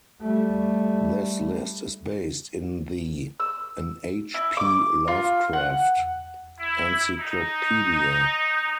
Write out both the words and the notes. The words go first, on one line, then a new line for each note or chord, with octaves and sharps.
This list is based in the "An H. P. Lovecraft Encyclopedia".
G3 A3
E6
E4
D6
F4
F#5
E4
D#4